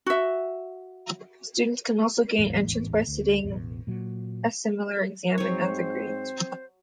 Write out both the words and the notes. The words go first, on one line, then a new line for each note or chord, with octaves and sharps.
Students can also gain entrance by sitting a similar exam in other grades.
F#4 E5
D#1 A1 E2 G#2
D2
E1 A1 E2
A#2 F#3
G#2 F#3 C4 C5 C#5